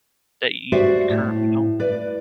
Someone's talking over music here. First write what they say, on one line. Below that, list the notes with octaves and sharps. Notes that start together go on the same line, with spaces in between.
that you currently don't.
F#4 G4 C5 D5 E5
A2
B4 D5